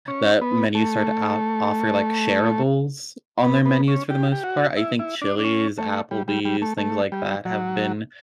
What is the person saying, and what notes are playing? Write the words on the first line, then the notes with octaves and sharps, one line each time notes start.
that menu started, uh, offer, like, shareables on their menus for the most part. I think Chili's, Applebee's, things like that have been
C#4
B3
A3
B3
B3
C#4
G4
G4
F#4
E4
E4
D4
D4
C#4
A3
G3
G3
G3
A3
A3
G3
F#3